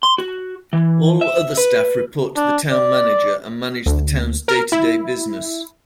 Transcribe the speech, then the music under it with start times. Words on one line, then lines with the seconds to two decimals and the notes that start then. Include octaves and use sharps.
All other staff report to the town manager and manage the town's day-to-day business.
0.03 C6
0.18 F#4
0.73 E3
1.21 E5
1.57 B4
2.37 D4
2.71 D5
3.86 D2
4.48 A#4
4.72 E4